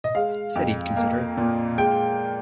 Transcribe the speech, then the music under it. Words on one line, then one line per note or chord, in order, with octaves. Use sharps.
Said he'd consider it.
D#5
G#3 F5
F2
A#3
A#2
G#3 G5